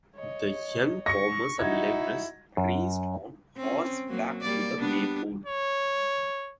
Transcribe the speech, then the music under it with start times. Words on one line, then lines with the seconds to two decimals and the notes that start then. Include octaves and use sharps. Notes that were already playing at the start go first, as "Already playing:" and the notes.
The young farmers and laborers raced on horseback to the maypole.
0.15 C#5 D#5
1.06 C#6 A#6 C#7
1.59 D#4 E4 F#4 G#6
2.57 F#2
3.58 C4 C#4
4.08 F#3 A#3
4.42 G3 A#3 D5
4.78 G3 B3 D4
5.46 C#5